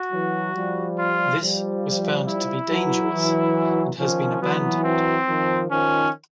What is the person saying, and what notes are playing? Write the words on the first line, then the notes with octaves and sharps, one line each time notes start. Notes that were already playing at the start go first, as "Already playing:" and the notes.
This was found to be dangerous, and has been abandoned.
Already playing: F#4
E3 F#3
F3 G3
F4
F3 G3
E4
E3 F#3
E3 F#3
D#3 F3 C#4
E3 F#3 B3
C4
D#3 F3
D#3 F3 C#4